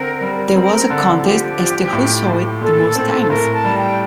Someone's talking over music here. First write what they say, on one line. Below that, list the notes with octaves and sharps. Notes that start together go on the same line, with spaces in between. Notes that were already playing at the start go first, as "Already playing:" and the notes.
There was a contest as to who saw it the most times.
Already playing: D3 C4 A#4
G3
C4 A#4
D3 A4
A4
F3 G4
F3
A2
A2
A#2 A4
C4
A4
A2 A#4
A5
G3
G5